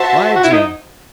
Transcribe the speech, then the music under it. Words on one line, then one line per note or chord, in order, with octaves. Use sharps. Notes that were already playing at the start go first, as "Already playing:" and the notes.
"Why, Jim?"
Already playing: F#4 C5 E5 A5
F#4
E4
D#4